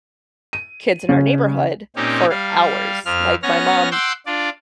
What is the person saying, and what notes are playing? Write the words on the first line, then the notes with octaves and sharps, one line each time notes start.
kids in our neighborhood for hours, like, my mom
D#7
C#3
A#2 C4 C#4 D#4 G4
G3 F5
F2 F3 F6
B3 C#4 C#5 F6 A#6
F#5 G5 C6 D6 E6 G6
D4 F4 D5